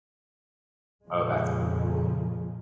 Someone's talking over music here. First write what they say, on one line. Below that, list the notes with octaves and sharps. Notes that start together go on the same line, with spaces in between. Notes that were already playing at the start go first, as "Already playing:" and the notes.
Oh, that's so cool.
F2 A#2 C#3 F3 G#3